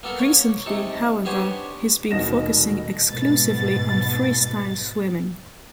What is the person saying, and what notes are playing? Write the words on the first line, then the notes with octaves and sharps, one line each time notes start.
Recently, however, he's been focusing exclusively on freestyle swimming.
A#3 B3 A4 A#4
A#3 C#5
C3 G#3 D#4 A4
B3 D4 G4 C5 C#5 G#5
D#1 B2 D#3 D#5 A#6 E7
G#2 B2 A6